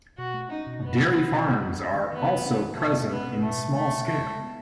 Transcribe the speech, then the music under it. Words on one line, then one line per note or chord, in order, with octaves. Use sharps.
Dairy farms are also present in small scale.
B2 F#4
A3
C#4 D#4
B2
B2 B3
A3
C#4
B2
D#3
A3
C#4
D#3
D#3 B3
A3
C#4
D#3
B2 A3
G#3
B3 C#4
B2
B2 A3
G#3
A3 C#4
B2
C#3 A3
G#3
B3